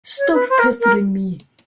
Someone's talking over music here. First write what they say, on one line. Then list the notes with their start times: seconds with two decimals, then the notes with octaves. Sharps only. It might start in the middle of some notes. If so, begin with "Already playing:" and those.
Stop pestering me!
0.18 C#5
0.33 B4
0.50 C5
0.59 A#4
0.81 A#4